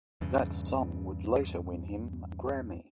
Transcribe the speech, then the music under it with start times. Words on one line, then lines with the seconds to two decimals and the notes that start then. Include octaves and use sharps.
That song would later win him a Grammy.
0.21 E2 G2 C#3